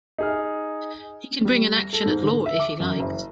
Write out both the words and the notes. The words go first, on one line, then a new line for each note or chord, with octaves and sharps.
He can bring an action at law if he likes.
D#4 G#4 F6
G3
A#6
A4
G#2
D3
E5
D6
F#2
F#1